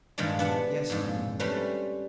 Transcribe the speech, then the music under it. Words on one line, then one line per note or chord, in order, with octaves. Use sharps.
"Yes, colonel."
G2 A#2 D#3 F3 G3 G#3
B3 D4 F#5
F2 G#2
G3 A3 C#4 B4 C5